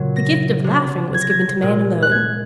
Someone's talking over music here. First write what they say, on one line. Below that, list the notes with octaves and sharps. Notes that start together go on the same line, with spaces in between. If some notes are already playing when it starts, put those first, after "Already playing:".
The gift of laughing was given to man alone.
Already playing: A#2 C#3 F#3
A#6
C3 F#3
G#6
A#6
G#6
A#2 G#3
F#6
G#6